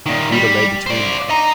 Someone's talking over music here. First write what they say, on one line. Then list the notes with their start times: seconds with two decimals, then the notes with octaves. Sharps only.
Rita lay between them.
0.06 A#2 D#3
0.32 G3
0.86 C5 D5
1.29 D#5 A#5